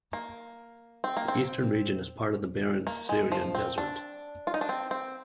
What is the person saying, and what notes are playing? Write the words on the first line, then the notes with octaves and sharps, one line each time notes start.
The eastern region is part of the barren Syrian Desert.
A#3
C4
A#3
C4
A#3
G#3
F3
C4
D4
F4
D#4
D4
C4
C4